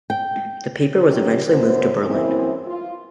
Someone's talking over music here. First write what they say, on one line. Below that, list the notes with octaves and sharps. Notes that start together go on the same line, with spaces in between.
The paper was eventually moved to Berlin.
G5
D#3 F#3 C#4 G4
F#2 B3 C5
F#2 E3 A#3 C4 E4
F4